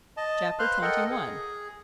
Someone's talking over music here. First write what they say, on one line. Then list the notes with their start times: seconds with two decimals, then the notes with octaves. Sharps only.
Chap. XXI.
0.17 D#5 A5
0.59 B4 C5 F5 C6 F6 F#6
0.82 A4 A#4 D#5 F#5 G5
1.10 G#4